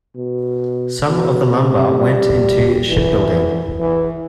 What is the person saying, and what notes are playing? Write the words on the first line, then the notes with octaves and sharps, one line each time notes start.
Some of the lumber went into shipbuilding.
B2
B2
C3
G3
E3
E3